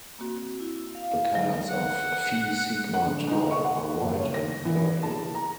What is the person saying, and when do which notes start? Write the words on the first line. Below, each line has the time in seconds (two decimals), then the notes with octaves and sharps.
The colors of Phi Sigma Tau are white and purple.
0.19 A#3 C4 F#4
0.60 E4
0.95 F5
1.34 D3 F#3 G#3
1.69 F#5
2.94 F#5
3.06 D3
3.31 D#4
3.51 C#6
3.64 F#5
4.01 F#1
4.20 C#5
4.34 A#6
4.65 E3
5.03 A5
5.35 A#5